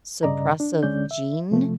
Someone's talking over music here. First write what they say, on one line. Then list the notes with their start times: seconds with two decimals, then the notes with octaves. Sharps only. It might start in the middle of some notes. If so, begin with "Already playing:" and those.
suppressive gene
0.23 G2 C#3 D5 D#5 A#5
0.60 D4
0.83 D2 D3 G#3 C#4 D5 G6
1.11 E5
1.51 C3 F3 A3